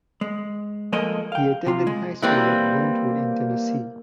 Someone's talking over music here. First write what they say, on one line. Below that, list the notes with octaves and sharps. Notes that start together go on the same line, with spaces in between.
He attended high school at Brentwood in Tennessee.
G#3
F3 G#3 A#3 A4 A#4 D#5
F5 G5
C3 F4
G#3
E3 G3 A#3 C4